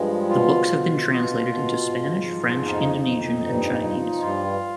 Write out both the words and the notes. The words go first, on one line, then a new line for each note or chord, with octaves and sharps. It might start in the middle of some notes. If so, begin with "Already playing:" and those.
The books have been translated into Spanish, French, Indonesian, and Chinese.
Already playing: G2 F3 G#3
B2 F4
B2
B2
B2
G#2
F3
F2 D#4
F2
G2
F3
G2 F4